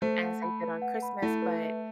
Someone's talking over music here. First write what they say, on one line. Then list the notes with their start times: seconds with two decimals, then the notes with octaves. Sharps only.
as they did on Christmas, but
0.02 A3 C5
0.22 F#5
0.42 B5
0.63 B4
0.82 F#5
1.02 B5
1.22 A3 E4
1.42 B4
1.62 E5